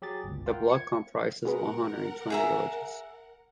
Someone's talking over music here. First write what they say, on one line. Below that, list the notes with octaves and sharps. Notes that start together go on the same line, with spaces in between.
The block comprises one hundred and twenty villages.
F#3 G4 G#4 A6
G1 C#2
F4 A#4 F#5 G5
G#6 C#7
B2 G#3 B3 A#4 F#5
G#4 E5 A#5